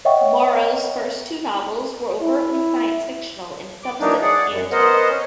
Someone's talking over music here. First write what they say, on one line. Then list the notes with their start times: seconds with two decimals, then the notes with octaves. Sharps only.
Morrow's first two novels were overtly science-fictional in substance and tone.
0.05 C#5 D#5 E5 F#5 G5 C#6
2.22 E4
3.83 D6
4.01 E3 F#3 A#3 D4 D#4
4.22 G#4 D5 F#5
4.51 F#2
4.72 B3 A#4 C5 D#5 F#5
5.10 C#4